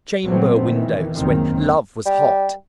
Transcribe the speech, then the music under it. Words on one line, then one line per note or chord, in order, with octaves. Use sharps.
Chamber-windows when Love was hot?
A#2 F#3 G3 A3 B3 C4
D#3 E3
F#1 C#2 D#3 A#3 C4
G3